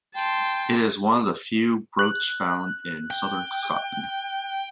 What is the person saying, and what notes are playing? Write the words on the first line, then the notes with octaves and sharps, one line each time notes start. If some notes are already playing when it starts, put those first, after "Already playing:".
It is one of very few brochs found in southern Scotland.
G5 A5 C6
F#6
G5